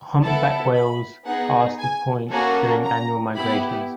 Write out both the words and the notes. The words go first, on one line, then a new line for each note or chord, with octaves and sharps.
Humpback whales pass the point during annual migrations.
B3 E4 A4 A5
B5
B3 D#4 G#4 F#5
G#5
A#3 C#4 F#4 A4 G#5
A#5
B3 E4 G4 B5